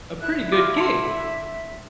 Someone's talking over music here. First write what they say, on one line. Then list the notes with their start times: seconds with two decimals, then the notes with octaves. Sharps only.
a pretty good gig.
0.21 D3 E4 F#6
0.52 F4 D6
0.77 E5 A5 C6